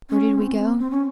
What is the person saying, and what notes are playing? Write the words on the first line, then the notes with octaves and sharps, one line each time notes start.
Where did we go?
C#4
C4
C4
C#4